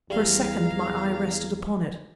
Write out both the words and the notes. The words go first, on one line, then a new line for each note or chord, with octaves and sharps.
For a second my eye rested upon it.
E2 G3 G#4 F5 A#5